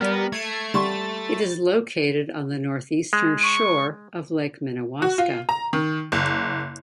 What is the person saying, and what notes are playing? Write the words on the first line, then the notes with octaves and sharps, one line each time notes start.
It is located on the northeastern shore of Lake Minnewaska.
G3 B3 A#4
A3 G#6 C7 D7
G3 C6 C#6 A6
G#3
C#6
F#4
F4
A#5
D#3
F#1